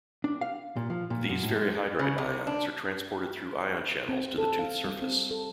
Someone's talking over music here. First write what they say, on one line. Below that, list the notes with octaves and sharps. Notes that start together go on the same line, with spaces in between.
These ferrihydrite ions are transported through ion channels to the tooth surface.
D4
F5
A#2
F3
A#2
F#2
A2
G#3
C#3
C3
D4
C4
A4
F5
G3
C4
A4